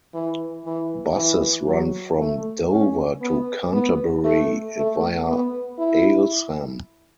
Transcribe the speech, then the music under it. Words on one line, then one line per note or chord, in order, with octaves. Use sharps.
Buses run from Dover to Canterbury via Aylesham.
E3
E3
E3
F#3
A3
C#4
B3
B3
A3
A3
B3
E4